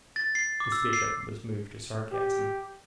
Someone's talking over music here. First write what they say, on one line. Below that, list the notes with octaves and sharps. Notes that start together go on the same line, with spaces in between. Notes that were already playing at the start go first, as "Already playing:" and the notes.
Miss Bishop was moved to sarcasm.
A6
C7
D6
E6
C7
G4